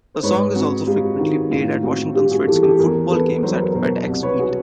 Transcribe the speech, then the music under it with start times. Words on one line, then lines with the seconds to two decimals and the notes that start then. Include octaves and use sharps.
The song is also frequently played at Washington Redskins football games at FedExField.
0.15 C5
0.23 G#2 B4 C#5
0.55 C4 F#4 G#4
0.87 G#3 F4 G4
1.19 D#3 F#4
1.51 A2 F4
1.83 C4 F#4
2.15 G3 F4 G4
2.31 F#4 G#4
2.47 E3 G4 A4
2.63 G4 A4
2.79 E2 G#4 A#4
3.11 B3 A4 B4
3.43 F#3 C5
3.52 B4
3.62 A#4 C5
3.74 B2 A#4 C5
4.07 C2
4.23 B4 C#5
4.39 F#4 G#4